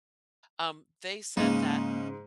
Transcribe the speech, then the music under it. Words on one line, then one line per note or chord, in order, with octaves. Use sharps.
um, they said that
G#2 C#3 G#3 A#3 D#4